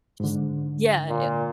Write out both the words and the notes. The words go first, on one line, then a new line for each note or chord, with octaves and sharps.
Just Yeah, i
G#2 D3
A#2